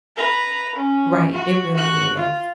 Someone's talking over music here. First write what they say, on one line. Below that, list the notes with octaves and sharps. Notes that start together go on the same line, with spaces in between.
Right, it really is,
B4 A#5
C#4
F#4
F#4 F#6
F4